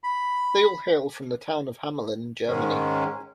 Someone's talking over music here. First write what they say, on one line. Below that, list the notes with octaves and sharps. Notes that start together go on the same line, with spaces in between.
They all hail from the town of Hamelin in Germany.
B5
G#2 D#3 G#3 C#4